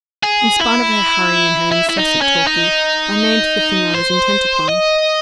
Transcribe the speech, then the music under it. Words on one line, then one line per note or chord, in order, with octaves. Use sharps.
In spite of her hurry and her incessant talking, I named the thing I was intent upon.
G#4
E4
E4
E4
D#4
C#4
D#4
C5
D#5